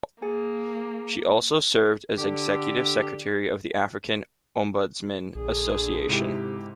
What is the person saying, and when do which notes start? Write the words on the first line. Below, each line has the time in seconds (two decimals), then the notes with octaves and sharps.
She also served as Executive Secretary of the African Ombudsman Association.
0.22 A#3 G#4 G#5
2.18 D3 G4
5.35 A#1 D3 G#4
6.09 G#2 C3 E4 G4